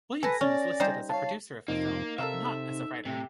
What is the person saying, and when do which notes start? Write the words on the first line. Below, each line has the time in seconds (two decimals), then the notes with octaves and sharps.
Williamson is listed as a producer of the film, but not as a writer.
0.23 A4 B4 G#5 A5 A#6
0.41 C#4 D5
0.80 G3 D#4 C5
1.10 C#5 F5 A5
1.68 F2 C3 A#3 D#4
2.18 C3 A4 A#4 E5 F5
2.45 A4
3.05 A2 C3